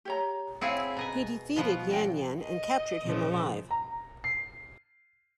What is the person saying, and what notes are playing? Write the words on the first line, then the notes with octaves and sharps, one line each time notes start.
He defeated Yan Yan and captured him alive.
G4 C#5 A#5
C4 E4 G#4 C#5 F5 F#5
B2 B4 D#5 G#5 A#5
B2 F3 B3
C#4 D#5 G5
D#5
A#2 C#3 F3
A#5
C7